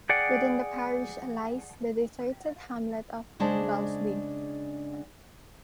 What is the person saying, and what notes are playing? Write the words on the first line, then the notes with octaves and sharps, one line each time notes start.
Within the parish lies the deserted hamlet of Balsdean.
G#4 D5 F#5 G5
C#3 G#3 D4 C5 A5